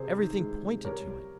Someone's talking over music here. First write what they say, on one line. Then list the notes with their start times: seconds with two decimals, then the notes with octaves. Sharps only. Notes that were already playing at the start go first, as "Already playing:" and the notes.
Everything pointed to it.
Already playing: C3 G#4 C5
0.17 D#3
0.39 G#3
0.62 C3
0.85 G3 A#4 C#5
1.07 G3